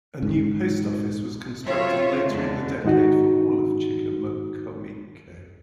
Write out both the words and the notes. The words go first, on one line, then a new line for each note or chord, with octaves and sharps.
A new post office was constructed later in the decade for all of Chicamacomico.
G#2
F#3 C4 F4 C#5 E5
E2 D3 G#3
G#2 D#3 D#4 F#4